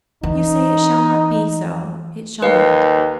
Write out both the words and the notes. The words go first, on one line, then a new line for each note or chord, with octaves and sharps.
If you say it shall not be so, it shall not.
E3 D#4
D#2 B4 F5